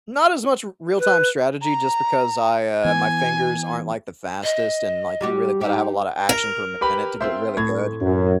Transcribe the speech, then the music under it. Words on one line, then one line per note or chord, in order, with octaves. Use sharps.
not as much Real-Time Strategy just because I, uh, my fingers aren't, like, the fastest and, like, you really gotta have a lot of action-per-minute to get really good.
B4
A#5
E3 B3 G#5
D#5
G3 F#4 G4
D#4 G4
A#4 F7
G4 B4 B5
C4 F4 C5 E5 C6
A2 G#6
F#2